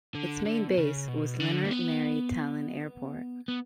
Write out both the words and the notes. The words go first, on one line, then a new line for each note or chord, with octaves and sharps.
Its main base was Lennart Meri Tallinn Airport.
D3
D3
B2
C#3
B2
D3
A#3
B3
B3